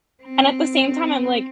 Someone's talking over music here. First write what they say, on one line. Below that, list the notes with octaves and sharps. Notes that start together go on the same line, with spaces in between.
and at the same time, I'm like,
C4